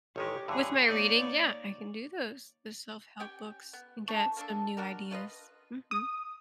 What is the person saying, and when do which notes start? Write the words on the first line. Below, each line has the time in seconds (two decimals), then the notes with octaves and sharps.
with my reading yeah, I can do those, the self-help books and get some new ideas. Mhm.
0.16 A1 D#3 G#3 G4 C#5
0.48 G2 D3 E3 G#4 C#5
0.84 A#3 D#4 C#5 D5 G5
3.20 C#4 G4 G5 G#5
3.73 B3
4.08 E3 A3 D4 C#6
4.37 A#3 D4 A4
4.77 D4 F#4 G4 A#4
5.11 A3 F4 B4 D#5
5.91 D#6